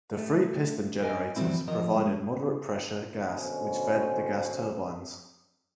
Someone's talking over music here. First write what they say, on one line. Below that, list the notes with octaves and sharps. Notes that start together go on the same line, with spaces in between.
The free piston generators provided moderate pressure gas which fed the gas turbines.
A3
A#4 D#5 G#5
E3 F3 G3 A3 C4 E4
F3 A#4 D#5
G#3
B2 D3 C4 C#4